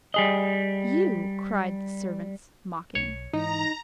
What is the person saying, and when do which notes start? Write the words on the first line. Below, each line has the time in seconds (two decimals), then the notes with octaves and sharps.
"You!" cried the servants mocking.
0.14 G3 G#4 D#5
2.95 B1 C#5
3.33 G#2 E3 D#4 A#5